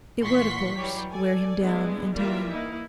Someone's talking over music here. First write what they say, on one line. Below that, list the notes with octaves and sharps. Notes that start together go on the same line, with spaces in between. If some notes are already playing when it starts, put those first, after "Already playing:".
It would, of course, wear him down in time.
A#2 E3 F#5 C6 C#6 B6
E3 F#3 G3 G4 C#5
A4 D5 G#5
G3 G#3 B3 D4 E4
E3 G3 A#3 F4 A#4 E5
A#3 D#4 E4